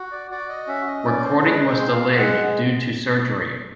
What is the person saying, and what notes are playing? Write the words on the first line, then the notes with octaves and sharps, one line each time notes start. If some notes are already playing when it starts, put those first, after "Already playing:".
Recording was delayed due to surgery.
Already playing: F#4
D5
F#4 D5
D#5
C#4 E5
D#5
C#4 D5
C5
G#3 B4
C5
C4
F5
G#3 F#5